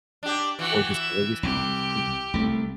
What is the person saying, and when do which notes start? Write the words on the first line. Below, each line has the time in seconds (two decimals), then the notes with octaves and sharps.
or there's always gonna be some
0.23 D4 G4
0.59 E3 F#4 G4
0.91 E5
1.43 C2 G4
2.34 C2 A3